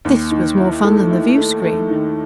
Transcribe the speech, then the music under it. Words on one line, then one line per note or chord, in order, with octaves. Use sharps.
This was more fun than the viewscreen.
D#2
D#3
E4
A3
E4
A3
A3
D#3